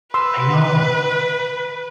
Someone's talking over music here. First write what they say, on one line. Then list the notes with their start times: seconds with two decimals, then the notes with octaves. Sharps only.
I know.
0.14 B4 C6 E6